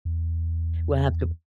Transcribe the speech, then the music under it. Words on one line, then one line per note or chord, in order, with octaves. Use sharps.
we'll have to
E2